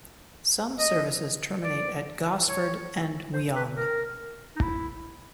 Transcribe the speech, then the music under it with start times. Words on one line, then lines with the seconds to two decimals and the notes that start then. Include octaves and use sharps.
Some services terminate at Gosford and Wyong.
0.79 D#5
1.63 D5
2.48 C#5
3.33 C5
3.55 B4
3.77 A#4
4.56 D#4
4.61 E4